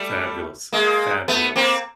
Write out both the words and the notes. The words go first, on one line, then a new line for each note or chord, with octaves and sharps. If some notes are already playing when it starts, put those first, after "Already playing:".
Fabulous, fabulous.
Already playing: G3 A3
G#3 A#3
A3 B3
A#3 C4